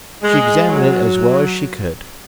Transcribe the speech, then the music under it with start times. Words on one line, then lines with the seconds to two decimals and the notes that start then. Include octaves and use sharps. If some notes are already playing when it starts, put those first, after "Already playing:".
She examined it as well as she could.
0.23 G#3
0.68 F#3